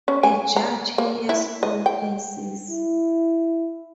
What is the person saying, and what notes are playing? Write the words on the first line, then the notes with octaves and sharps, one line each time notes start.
A judge hears all cases.
C#4
G#5
A#5
A#3
E4
D#5
G5
E4